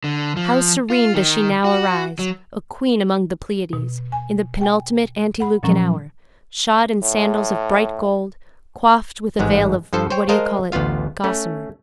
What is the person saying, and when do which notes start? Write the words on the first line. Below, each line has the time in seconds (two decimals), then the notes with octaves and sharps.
How serene does she now arise, a queen among the Pleiades, in the penultimate antelucan hour, shod in sandals of bright gold, coifed with a veil of what do you call it gossamer.
0.04 D3
0.37 F3
0.90 F4
1.14 D#3
1.65 F#4
2.19 F#3
3.73 B2
4.12 G#5
4.61 G5 G#5
5.40 F#5 B5
5.63 A#2 F3 F#3 C#4 A#5
7.03 A2
9.39 A1 G#2 G#3
9.93 G2 F3 A4 C5
10.10 C5 C#5 G5
10.29 G#3 A#4 C5 D#5 F5 A5
10.72 A1 D2 B3 F4 F5
11.24 A3 C#4